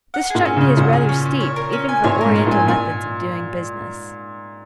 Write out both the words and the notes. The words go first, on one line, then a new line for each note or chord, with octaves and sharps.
This struck me as rather steep even for Oriental methods of doing business.
F#5
A#2 G#4
C#4
C#3 C#4
A#2 F#5
G#4
C#4
C#4
C#5
A#4
C#4
G#5
A#2 C#5
A#4
G#2
C#4
A#2 G#5
A#2 G#5